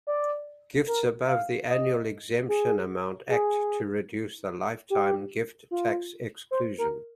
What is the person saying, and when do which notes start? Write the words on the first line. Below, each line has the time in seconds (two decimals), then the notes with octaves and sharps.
Gifts above the annual exemption amount act to reduce the lifetime gift tax exclusion.
0.07 D5
0.87 A#4
1.28 F5
1.68 D#5
2.48 G#4
3.29 G#4
4.90 G4
5.71 F4
6.51 C5
6.78 A#4